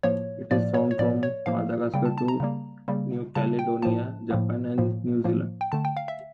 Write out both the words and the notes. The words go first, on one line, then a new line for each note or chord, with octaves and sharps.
It is found from Madagascar to New Caledonia, Japan and New Zealand.
A2 F3 A#3 C#5
A2 F3 A#3 D5
C#5
C#5
A2 F3 A#3 D5
C#5
A2 F3 A#3 F5
C#3 G3 A#3 G5
A5
A5
A#5
C#3 G3 A#3
C#3 G3 A#3
C#3 G3 A#3 A5
G5
A2 F3 A#3 A5
A2 F3 A#3
A2 F3 A#3
A2 F3 A#3
G5
D3 A3 A5
G5
F5
E5